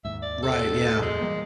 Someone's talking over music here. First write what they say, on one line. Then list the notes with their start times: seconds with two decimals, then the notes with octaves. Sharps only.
Right, yeah.
0.05 D#2 G#2 E5
0.22 D5
0.43 A4
1.02 F2 G#3
1.21 E3 G3 A#3